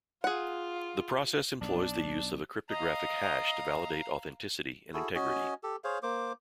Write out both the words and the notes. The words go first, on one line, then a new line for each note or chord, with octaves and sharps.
The process employs the use of a cryptographic hash to validate authenticity and integrity.
F4 G#4 F#5
B1 D4
D#5 F5 A#5
E4 F#4 G#4 A4
C#4 F#4 D#5 G#5
G4 A4
G#4 C5 C#5 F5
A#3 C5 D6